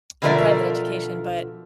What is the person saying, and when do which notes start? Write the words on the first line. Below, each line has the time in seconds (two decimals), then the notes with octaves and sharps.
in private education, but
0.22 B2 D3 F3 A#4 D5 E5